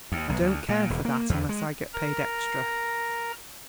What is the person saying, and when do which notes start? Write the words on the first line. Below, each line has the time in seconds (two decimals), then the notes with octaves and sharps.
I don't care for that, unless I get paid extra.
0.12 D#2
0.29 B1
0.41 D2
0.69 A#2
0.90 E1
1.05 A#3
1.29 E2
1.49 G#3
1.93 A#4 A#5